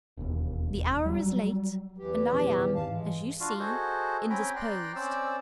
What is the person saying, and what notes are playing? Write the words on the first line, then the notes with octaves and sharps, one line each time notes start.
The hour is late, and I am--as you see--indisposed.
E1 D#2
F#3 G3
E2 E3 G4
A#2 F3 G#3
D#3
G#2 C4 F5 A5
E3 G#3
D4 F4 F#4 F5
F#4 G#4 A4 C5 D#5
C4 C#4 G5 G#5 A#5 B5
D5 G5 A#5 C6 F#6
C4 C#4 C5 D5 E6